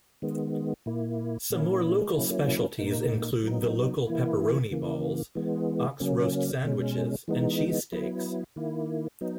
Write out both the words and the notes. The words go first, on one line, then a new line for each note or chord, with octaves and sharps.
Some more local specialties include the local pepperoni balls, ox roast sandwiches, and cheesesteaks.
D#3 G#3 B3
A#2 A#3 E4
A#2 A#3 C#4 E4
F#3 A#3 C#4 E4
A#2 A#3 D#4
F#3 B3 D#4
E3 A#3 E4
C#3 E3 A#3
E3 G#3 B3
C#3 F#3 A#3 C#4
B2 G#3 C#4
E3 G#3 B3 D#4
F#3 B3 E4
D#3 A#3 E4
F#3 B3 D#4